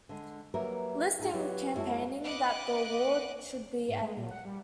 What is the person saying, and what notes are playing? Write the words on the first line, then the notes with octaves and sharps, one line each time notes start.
List in campaigning that the award should be annual.
D3 G#3
F#3 G3 A#3 A#4 B4 E5
A2 D#4 G#4
F#3 B3 F4 G4
F#2 F#3 G#3 E4 F#4 A5
B4 D#5 F#5 D6 F#6
G#2
G#3
A#2
F#5
G3